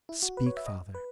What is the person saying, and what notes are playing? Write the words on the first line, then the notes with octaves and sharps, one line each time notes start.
Speak, Father.
E4
F#4
B4
C#5
E5
D#5
B4